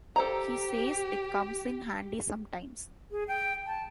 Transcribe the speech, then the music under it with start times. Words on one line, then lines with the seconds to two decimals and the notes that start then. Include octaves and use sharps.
He says it comes in handy sometimes.
0.16 G4 A4 C5 A#5
3.11 G#4
3.28 G5
3.66 A5